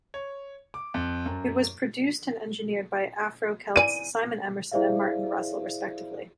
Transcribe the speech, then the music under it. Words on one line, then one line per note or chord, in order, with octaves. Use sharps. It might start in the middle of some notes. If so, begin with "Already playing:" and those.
It was produced and engineered by Afro Celts Simon Emmerson and Martin Russell, respectively.
C#5
D6
F2
F#2
E3 D5 G#5 D#7
E4 G#4 C5 D5 E5 F5